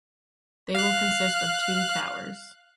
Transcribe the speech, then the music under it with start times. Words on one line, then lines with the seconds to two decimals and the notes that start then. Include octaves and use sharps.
They will consist of two towers.
0.75 F5 F#6